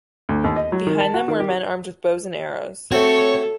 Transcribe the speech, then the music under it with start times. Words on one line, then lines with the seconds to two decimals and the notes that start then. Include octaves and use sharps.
Behind them were men armed with bows and arrows.
0.29 D2
0.44 D#2
0.56 D#5
0.72 F#3
0.87 D#3
1.00 A5
1.14 F#4
1.28 D#3
1.40 G4
2.92 A3 C4 F#4 A4 C#5